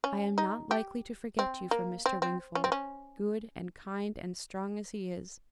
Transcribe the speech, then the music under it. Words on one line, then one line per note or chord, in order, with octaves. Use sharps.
I am not likely to forget you for Mr. Wingfold, good and kind and strong as he is!
C#4
D#4
G4
C4
A#3
C4
C4
C#4
C4
C#4